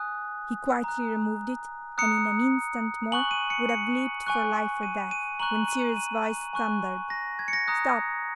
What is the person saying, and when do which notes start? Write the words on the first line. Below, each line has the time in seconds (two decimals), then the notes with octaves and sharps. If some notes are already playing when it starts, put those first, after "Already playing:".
He quietly removed it, and in an instant more would have leapt for life or death, when Cyril's voice thundered 'Stop!'
Already playing: G#5 D#6 F#6
0.84 A#5 F#6
1.98 A#5 D#6 F#6 C#7
3.12 G#5 C#6 F#6 F#7
3.31 D#7
3.50 C#7
3.69 C#7
4.27 G#5 C#6 F#6
4.83 D#7
5.11 D#7
5.40 A#5 C#6 F#6 F#7
5.68 D#7
5.96 D#7
6.53 G#5 C#6 F#6
7.10 A#6
7.39 G#6
7.48 C#7
7.53 A#6
7.67 A#5 D#6 F#6